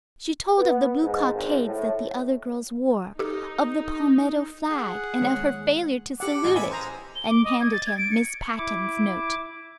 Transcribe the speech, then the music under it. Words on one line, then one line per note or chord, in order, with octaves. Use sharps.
She told of the blue cockades that the other girls wore, of the palmetto flag, and of her failure to salute it, and handed him Miss Patten's note.
B3
G#2
G#1
A2
D#4 G4 A4
G#4 F#5
D#2 G#3 C#5
G4 A4 F#5 D6
A1
B4 E5 G#5
G#3 C5 A#5
G7
D6
D#5
G#6
A6
G#6
D7
C#7
E4 D6